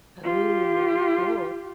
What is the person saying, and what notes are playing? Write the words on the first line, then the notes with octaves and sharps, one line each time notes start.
Oh, cool.
F4 G4